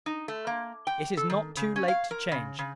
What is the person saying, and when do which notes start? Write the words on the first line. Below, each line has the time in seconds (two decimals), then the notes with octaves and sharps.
It is not too late to change.
0.06 D#4
0.28 A3
0.47 A#3
0.87 G5
1.17 A4
1.30 D#3
1.57 C#3
1.76 C#4
1.88 F5
2.11 A#4
2.32 C#3
2.59 C#3